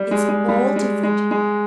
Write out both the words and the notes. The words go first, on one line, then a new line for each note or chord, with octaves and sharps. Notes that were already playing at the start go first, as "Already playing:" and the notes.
It's all different.
Already playing: G3
G#3
G#3
G3
G#3
G#3
G#3